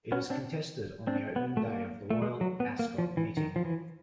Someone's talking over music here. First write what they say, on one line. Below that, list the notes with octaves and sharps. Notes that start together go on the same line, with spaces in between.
It is contested on the opening day of the Royal Ascot meeting.
B3 C#4
C4 D4
C4 D4
B3
A3
A#3
A3
G#3
F#3
B3
A#3
F3
E3
D#3
F3
E3